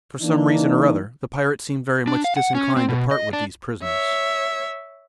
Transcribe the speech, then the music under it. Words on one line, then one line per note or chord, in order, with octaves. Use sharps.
For some reason or other, the pirates seemed very much disinclined to part with these prisoners.
E3 A#3 D4 D#4
D4
F5
F#5
C#4
C4
B2
D#5
D4
C#5 E5